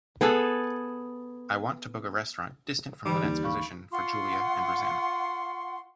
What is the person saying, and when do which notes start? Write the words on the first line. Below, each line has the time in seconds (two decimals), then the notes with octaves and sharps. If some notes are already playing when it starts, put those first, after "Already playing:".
I want to book a restaurant distant from lynette's position for julia and rosanna.
0.21 B3 G#4 A4 B4
3.05 D3 E3 G3 D#4
3.23 D#2
3.44 F5 B5 C#6
3.92 F4 F#5 C6 C#6